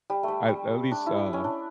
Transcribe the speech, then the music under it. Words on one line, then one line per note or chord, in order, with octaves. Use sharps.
I at least, uh,
G3
G3 A3
G3
D4
E4
C#4
D4